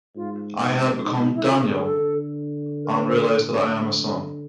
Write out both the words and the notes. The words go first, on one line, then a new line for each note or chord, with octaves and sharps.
I had become "Daniel" and realized that I am a son.
G#2 F4
G#2 D#4
D#4
D#4
E4
D3 F4
G#4
G#4
A4
D3
A#4
B4
C5
A4
D3